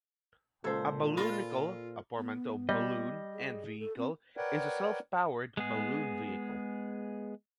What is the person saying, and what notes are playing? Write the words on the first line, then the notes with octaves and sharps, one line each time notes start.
A balloonicle, a portmanteau of "balloon" and "vehicle", is a self-powered balloon vehicle.
C#2 A#2 A4 C5 E6 G#6
F4 B5 A#6
B3
G3 D#5
G#4
A4
C4
A#4 B4 C#5 D5 F#5 G5
G#3 B3 G#4